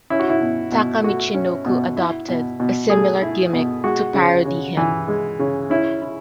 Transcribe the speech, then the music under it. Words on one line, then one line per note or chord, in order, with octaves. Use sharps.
Taka Michinoku adopted a similar gimmick to parody him.
C#4 E4
F#4
E4
B2
B2
A3 F#4
C#4
B2
E4
B2
B2
A3 G#4
E4
B2
G#3 F#4
C#3
C#3
E3
G#3
C#3
C#4 E4
E4